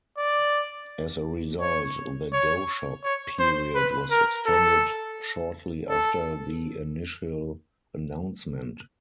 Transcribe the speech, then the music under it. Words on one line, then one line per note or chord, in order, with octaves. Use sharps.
As a result, the "go-shop" period was extended shortly after the initial announcement.
D5
C#5
C#5
C#5
C5
B4
A#4
A4
A4